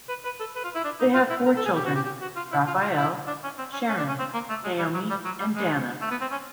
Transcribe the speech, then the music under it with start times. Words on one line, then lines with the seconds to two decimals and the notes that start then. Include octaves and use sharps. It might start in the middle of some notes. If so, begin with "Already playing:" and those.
They have four children: Rafael, Sharon, Naomi and Danna.
0.09 B4
0.25 B4
0.40 A4
0.55 B4
0.64 F4
0.75 E4
0.84 D4
1.00 D#4
1.15 F4
1.30 E4
1.46 A#4
1.56 A4
1.65 G#4
1.76 G4
1.86 F#4
1.96 G4
2.06 G4
2.22 F#4
2.37 F4
2.52 E4
2.67 F4
2.82 F4
2.98 E4
3.28 D4
3.44 C#4
3.58 C4
3.73 C#4
3.89 C#4
3.98 D4
4.08 C#4
4.19 C4
4.34 A#3
4.50 A3
4.65 G#3
4.79 G3
4.95 F#3
5.10 G3
5.25 F#3
5.40 G3
5.56 G#3
6.01 A3
6.11 B3
6.21 C4
6.32 C#4